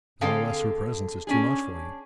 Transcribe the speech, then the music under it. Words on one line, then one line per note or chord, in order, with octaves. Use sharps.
'Not unless her presence is too much for you?'
D3 C4 G#4 A4 F5 G5
C#4 D4 G#4